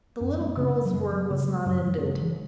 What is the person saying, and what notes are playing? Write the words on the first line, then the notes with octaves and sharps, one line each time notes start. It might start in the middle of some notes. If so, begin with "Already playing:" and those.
The little girl's work was not ended.
F#2 C#4
G#3
B3
C#3 C#4
B3
F#3
F#2 G#3
F#3
C#3 B3
G#3
F#2 F#3
F#3
B3
C#3 G#3
E3